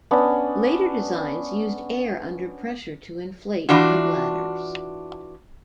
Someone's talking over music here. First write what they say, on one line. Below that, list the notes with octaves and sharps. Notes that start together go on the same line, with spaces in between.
Later designs used air under pressure to inflate the bladders.
B3 C#4 D4
E3 D4 F4 F#4